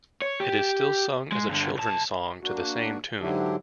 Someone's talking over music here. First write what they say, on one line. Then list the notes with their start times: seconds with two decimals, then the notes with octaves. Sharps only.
It is still sung as a children's song to the same tune.
0.22 C#5
0.40 G4
1.32 G#3
1.49 G2 D3
1.77 B1 A5
2.43 A#3 D4 F#4
3.20 G#2 D3 F#3 D4 E4 G4